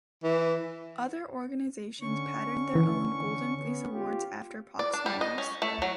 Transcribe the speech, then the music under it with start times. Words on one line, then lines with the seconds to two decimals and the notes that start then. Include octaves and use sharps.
Other organizations patterned their own "Golden Fleece Awards" after Proxmire's.
0.23 E3
2.01 D3 C#4 C#6
2.75 E3
3.60 B3 C#4
3.92 F4 G4
4.79 D5
4.94 D4
5.06 G3
5.21 D#5
5.38 C#4
5.62 A3
5.82 F#3